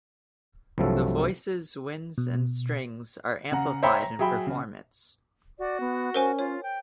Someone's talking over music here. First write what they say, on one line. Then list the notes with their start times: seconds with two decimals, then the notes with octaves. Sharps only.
The voices, winds and strings are amplified in performance.
0.78 C2 G2 F3 F#3 A3 A4
2.18 B2
3.52 C#3 F#5 A#5
3.83 C5 C#5 E5 G5 A#5 B5
4.02 A#5
4.19 F#3 G#4 E5 G5 B5
4.47 C#3
5.59 F#4 D5
5.80 B3
6.14 C#4 A#4 C5 G#5
6.39 F4 C#5
6.63 G5